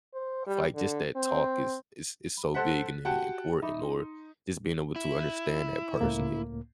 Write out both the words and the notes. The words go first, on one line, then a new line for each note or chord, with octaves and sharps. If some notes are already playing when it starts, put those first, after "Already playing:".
I feel like just that talk is is is so big and important or just being able to understand that person and
C5
G3
D3
C4
B5
A4 C5 F#5 F#6 A6 B6
F#4 G4 F#5 G5 A5
D#4 E5 B5 D6
C6
E4
C#2 A2 A#3